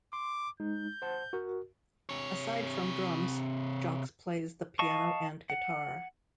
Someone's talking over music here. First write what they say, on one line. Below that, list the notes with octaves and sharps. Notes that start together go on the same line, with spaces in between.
Aside from drums, Jocz plays the piano and guitar.
C6 D6
G#3 D#4 G6
C5 F#5 A5
F#4 A#4
C3 C#5
D#5 F5 A5 C#6
F#5